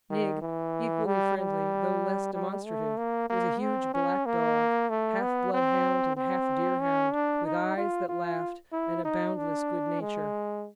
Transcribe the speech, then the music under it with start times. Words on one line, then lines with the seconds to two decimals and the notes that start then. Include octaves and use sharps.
Nig, equally friendly, though less demonstrative, was a huge black dog, half bloodhound and half deerhound, with eyes that laughed and a boundless good nature.
0.10 D#3
0.42 E3
1.06 G3
1.38 G3
2.34 G3
2.66 A3
2.98 A#3
3.30 A#3
3.62 C4
3.94 C#4
4.26 A#3
4.90 A3
5.21 B3
5.53 C4
6.17 C4
6.81 C#4
7.13 D4
7.45 D#4
7.77 F4
8.09 F4
8.72 E4
9.05 D#4
9.37 D4
10.01 G#3